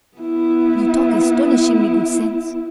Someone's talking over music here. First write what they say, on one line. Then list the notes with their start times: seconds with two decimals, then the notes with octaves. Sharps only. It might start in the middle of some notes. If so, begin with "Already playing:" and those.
You talk astonishingly good sense.
0.18 B3 E4